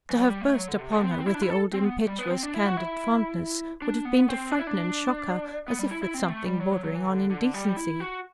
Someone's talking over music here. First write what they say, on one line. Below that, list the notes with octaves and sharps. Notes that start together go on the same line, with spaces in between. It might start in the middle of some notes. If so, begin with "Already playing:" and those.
To have burst upon her with the old impetuous, candid fondness would have been to frighten and shock her as if with something bordering on indecency.
E3
F#3
G3
A3
F#3
D3
C3
D3
C4
B3
C4
E4
D4
E4
A4
C4
B3
G3
B3
C4
D4
E4
F#4
E4
D4
B3
C4
D4
E4
D4
B3
G3
E4
E4
C4
A3
G3
F#3
F#3
F#3
E3
D3
D3
G3
E4
F#4